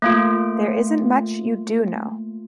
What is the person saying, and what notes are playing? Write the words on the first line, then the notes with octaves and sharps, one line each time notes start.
There isn't much you do know.
A3 A#3 F4